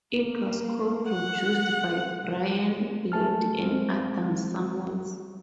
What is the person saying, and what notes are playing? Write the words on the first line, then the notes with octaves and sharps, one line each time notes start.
It was co-produced by Brian Blade and Adam Samuels.
A#3
F#5
A3 G#4 A5 F6
G#3 C4